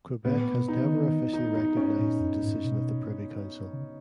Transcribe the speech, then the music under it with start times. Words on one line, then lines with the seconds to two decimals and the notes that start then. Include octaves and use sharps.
Quebec has never officially recognised the decision of the Privy Council.
0.25 A#2 B3
0.53 B2
0.68 D#4
0.83 D#3
1.33 D#4
1.55 D#4
1.77 C#4
1.98 A#2
2.20 F#2
2.43 G#2
2.64 B2
3.73 C#3